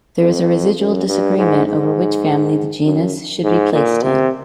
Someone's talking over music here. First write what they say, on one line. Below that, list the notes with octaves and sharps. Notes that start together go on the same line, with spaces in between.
There is residual disagreement over which family the genus should be placed in.
F2
F#2
G2
G#2
G#2
F#2
G#2
A#2
C3